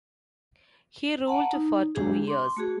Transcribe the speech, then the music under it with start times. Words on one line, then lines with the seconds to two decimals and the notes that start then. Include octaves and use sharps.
He ruled for two years.
1.26 F#5 A5 A#5
1.54 D#4
1.95 G#3 D4 G4 G#4
2.28 C6 D6
2.57 A3 F#4 G#4